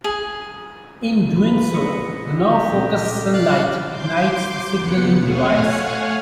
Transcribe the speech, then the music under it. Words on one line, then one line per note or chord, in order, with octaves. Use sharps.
In doing so, the now focused sunlight ignites the signalling device.
G#4
F2 B4
A#1 D#5 E6 C#7
C#2 G4
A#2 C4 A4
C#3 D5 F5 F#6
C6 D6 G6
D#2 C#3 B3 F#5 C#7
A3 C#5 F5 F#5 G#5